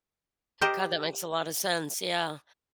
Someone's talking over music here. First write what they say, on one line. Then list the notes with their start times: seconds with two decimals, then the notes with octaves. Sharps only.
God, that makes a lottta sense, yeah.
0.61 G4 A#4 C5 D#5